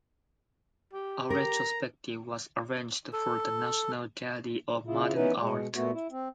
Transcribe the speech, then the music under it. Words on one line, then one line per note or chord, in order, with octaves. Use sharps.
A retrospective was arranged for the National Gallery of Modern Art.
G4
A#4 A#5
A4
C#3 E4 F4
E3 B3 C#4 D#4 E4 B4
B2 G#3
A#2 A3 B3 F#4
E4
C4